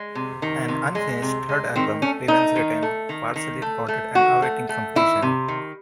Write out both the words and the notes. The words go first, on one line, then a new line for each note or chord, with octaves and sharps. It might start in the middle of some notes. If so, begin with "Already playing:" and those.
An unfinished third album remains written, partially recorded and awaiting completion.
Already playing: G#3
C3
D#3
C3
G#3
C3
G#3
D#3 C4
A3 C#4
A3 D#4
D#3
A3
D#3
D#3
A3
A3
D#3 F#4
A3
A3
D#3 E4
C3
D#3